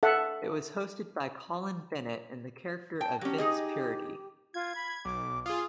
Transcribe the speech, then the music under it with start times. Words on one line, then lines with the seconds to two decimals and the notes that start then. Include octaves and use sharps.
It was hosted by Colin Bennett in the character of Vince Purity.
0.03 A4 E5 F#5
3.01 G5 A5
3.21 F#3 C#4 G4
3.38 D#4 G#4 D#5
4.54 F4 G#6
4.75 B5
5.05 B1 D6
5.46 F4 G#4 D#6